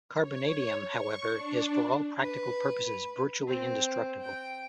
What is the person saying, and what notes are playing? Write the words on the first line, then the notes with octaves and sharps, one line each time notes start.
Carbonadium, however, is for all practical purposes virtually indestructible.
C#5
C#6
D4
B4
C4
G5